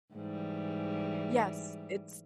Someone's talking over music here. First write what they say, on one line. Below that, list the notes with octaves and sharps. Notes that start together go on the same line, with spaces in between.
Yes, it's
G#2 E3 G3